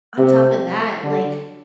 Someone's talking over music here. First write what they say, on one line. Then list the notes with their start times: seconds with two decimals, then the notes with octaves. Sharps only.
On top of that, like,
0.18 C3
1.04 D3